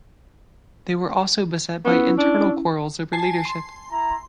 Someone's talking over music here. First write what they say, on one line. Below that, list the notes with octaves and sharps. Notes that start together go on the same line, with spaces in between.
They were also beset by internal quarrels over leadership.
B3 C#4 E4
D4
G#5 A5 C7
C6
E4 A#5